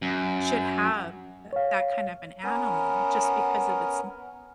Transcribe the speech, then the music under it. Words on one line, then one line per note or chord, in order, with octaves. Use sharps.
should have th that kind of an animal just because of it's kn
F#2
C#5 F5
B3 C#4 A#4